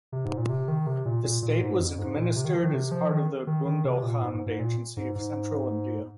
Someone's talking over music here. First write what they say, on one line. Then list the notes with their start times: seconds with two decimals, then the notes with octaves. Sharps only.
The state was administered as part of the Bundelkhand agency of Central India.
0.12 C3
0.25 G#2
0.37 A#2
0.49 C3
0.68 D#3
0.87 C3
1.05 A#2
1.24 A#2
1.42 A#2
1.61 G#2
1.79 F2
1.99 G#2
2.17 A#2
2.36 C3
2.45 D#3
2.55 F3
2.64 D#3
2.73 C3
2.92 F3
3.10 D#3
3.47 D#3
3.65 D#3
3.84 C3
4.03 A#2
4.22 G#2
4.34 G#2
4.46 G#2
4.59 A#2
4.97 G#2
5.15 G#2